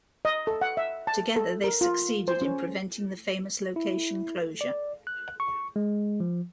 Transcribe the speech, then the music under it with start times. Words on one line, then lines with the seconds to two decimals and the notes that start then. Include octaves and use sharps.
Together they succeeded in preventing the famous location closure.
0.25 D#5
0.47 A4
0.61 F#5
0.77 E5
1.07 A5
1.36 A4
1.64 A#4
1.81 F4
2.28 C5
2.42 C#4
3.76 E4
4.61 D5
5.07 F#6
5.40 C#6
5.76 G#3
6.20 F3